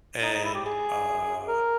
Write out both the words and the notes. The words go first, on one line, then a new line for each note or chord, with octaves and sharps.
and, uh,
D#4
D#4
E4
G4
G#4
A#4